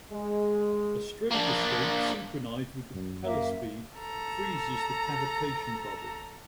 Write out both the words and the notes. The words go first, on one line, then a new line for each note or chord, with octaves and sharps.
A stroboscope synchronized with the propeller speed "freezes" the cavitation bubble.
G#3
A#3 D4
F#2
A#3 E5
A4 A#5